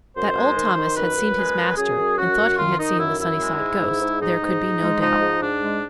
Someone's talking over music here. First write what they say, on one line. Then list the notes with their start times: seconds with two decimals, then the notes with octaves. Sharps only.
That old Thomas had seen his master, and thought he had seen the Sunnyside ghost, there could be no doubt.
0.16 F#2 C5
0.36 G#3
0.56 D#3
0.76 D#3
0.96 F#2 B4
1.18 F#2
1.37 G#3
1.57 F#2
1.77 F#2 G#4
1.98 F#2
2.18 F#2 F#4
2.39 F#2
2.58 D#3 F4
2.79 D#3 D#4
2.99 F#2 E4
3.19 F#2 E4
3.40 G#3
3.60 G#2
3.80 G#2
4.01 G#2
4.20 G#2 D#4
4.40 G#2
4.60 G#2
4.81 G#3
5.01 F3 D#4
5.21 G#2
5.42 G#2 D4
5.62 G#3